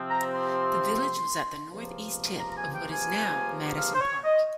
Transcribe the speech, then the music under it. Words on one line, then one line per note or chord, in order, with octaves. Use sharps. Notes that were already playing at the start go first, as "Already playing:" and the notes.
The village was at the northeast tip of what is now Madison Park.
Already playing: C3 F3 C4
A#5
C6
C#2 C3 F3 A#3
A#5
A#5
G#5
G5
G#5
F5
C5
C#5
D#5